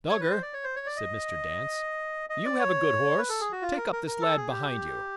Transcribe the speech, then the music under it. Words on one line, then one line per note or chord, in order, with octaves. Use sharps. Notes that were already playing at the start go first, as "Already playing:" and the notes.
"Dogger," said Mr. Dance, "you have a good horse; take up this lad behind you."
C#5
B4
C5
D5
C#5
C5
C#5
D5
D#5
D#5
D5
C#5
B4
A4
G#4
F#4
F4
A#4
A#4
A#4
A4
G#4
G4